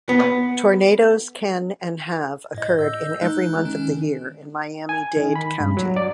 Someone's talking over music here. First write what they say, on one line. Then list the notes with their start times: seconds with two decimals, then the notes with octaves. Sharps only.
Tornadoes can and have occurred in every month of the year in Miami-Dade County.
0.09 B3
2.55 A2 D#5
2.77 D#5 E6 G6
3.21 G#3 D#4 F#6
3.65 D#3 C#4
4.89 G#5
5.17 D#3
5.36 B5
5.60 G2
5.77 F#3
5.96 D5